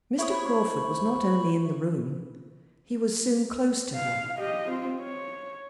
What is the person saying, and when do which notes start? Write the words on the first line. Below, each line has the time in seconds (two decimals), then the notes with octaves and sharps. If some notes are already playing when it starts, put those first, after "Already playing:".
Mr. Crawford was not only in the room--he was soon close to her.
0.19 E4 C5 C#5 B5 C#6 D#6
3.96 F5
4.38 G4 D#5
4.68 C4 F4
5.00 C#5